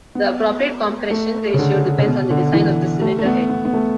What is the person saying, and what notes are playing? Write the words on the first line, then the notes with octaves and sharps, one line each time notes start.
The appropriate compression ratio depends on the design of the cylinder head.
B3
A3
C#3
D3
C#3
B2
D3
E3
A3
A3
B3
B3
B3
A3